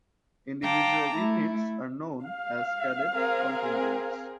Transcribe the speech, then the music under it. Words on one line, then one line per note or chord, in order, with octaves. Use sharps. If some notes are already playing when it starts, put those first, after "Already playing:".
Individual units are known as Cadet Contingents.
F5 G5 A5 A#5 D6
A3 E4
F5
C4 G#4 A#4